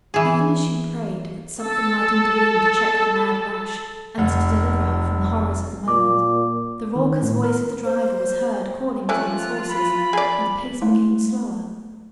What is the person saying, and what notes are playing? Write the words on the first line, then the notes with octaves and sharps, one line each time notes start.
Even as she prayed that something might intervene to check the mad rush and to deliver her from the horrors of the moment, the raucous voice of the driver was heard calling to his horses and the pace became slower.
E3 G#4
A4 A5
F1 F#5
A#2 D6
D#3
A2
A#4
C5
F3 A3 C#4 F4 G4 F#6
B5
G#4 D5
G#3 A3 E4